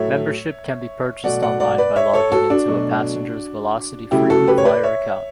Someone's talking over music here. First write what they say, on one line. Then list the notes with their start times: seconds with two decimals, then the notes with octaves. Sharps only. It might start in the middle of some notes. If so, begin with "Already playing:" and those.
Membership can be purchased online by logging into a passenger's velocity frequent flyer account.
Already playing: A2 F#3 A3 C#5 E5
1.24 B2 F#3 A3 D5 F#5
1.42 D5 F#5
1.60 D5 F#5
1.78 B4 D5
1.96 C#5 E5
2.14 A4 C#5
2.32 F#4 A4
2.50 D4 F#4
2.68 B2 F#3 A3
4.11 C#3 F#3 A3 E4 G4
4.30 F#4 A4
4.47 G4 B4
4.58 C#5
4.65 B4 D5
4.83 C#5 E5